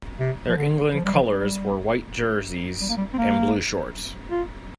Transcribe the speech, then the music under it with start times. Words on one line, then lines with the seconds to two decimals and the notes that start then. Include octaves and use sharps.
Their England colours were white jerseys and blue shorts.
0.20 C3
0.49 F3
0.57 D3
0.94 F3
1.05 G3
1.14 F3
1.31 G3
2.81 G3
2.89 A#3
2.97 G3
3.13 C4
3.18 A#3
4.31 F4